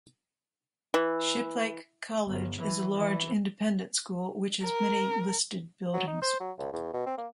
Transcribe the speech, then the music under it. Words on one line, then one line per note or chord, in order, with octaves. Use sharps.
Shiplake College is a large independent school which has many listed buildings.
E3
G1
E3
E3
A#4
F#3
D#4
C5
F#3
C#2
E2
B2
C4
A#3